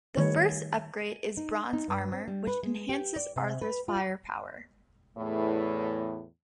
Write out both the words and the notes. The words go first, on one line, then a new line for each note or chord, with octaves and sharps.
The first upgrade is bronze armor which enhances Arthur's firepower.
D#3 G3 A3 B4 C#5
D#4
D#4
G2
C4
G3
B4
G#3
G4
D5
C3
B4
F4
E2 A2